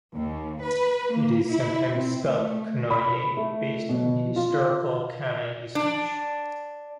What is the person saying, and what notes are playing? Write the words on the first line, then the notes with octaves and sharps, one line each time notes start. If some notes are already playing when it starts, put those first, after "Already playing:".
It is sometimes spelled "Konoye" based on historical kana usage.
D#2
B4
A#3
E4
C4
A3
B5
A3
B2
F4
D4